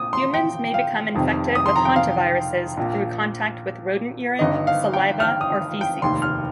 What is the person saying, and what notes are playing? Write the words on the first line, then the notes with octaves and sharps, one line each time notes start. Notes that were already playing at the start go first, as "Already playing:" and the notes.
Humans may become infected with hantaviruses through contact with rodent urine, saliva, or feces.
Already playing: A#1 A#2 D#6
C6
G5
F5
F1 F2 C3 D#3
D#6
C6
A#5
G5
F5
A#1 A#2
G1 G2 D#3 D#5
F5
G5
F6
D#6
G5
F1 D#2 D#3 C6
F6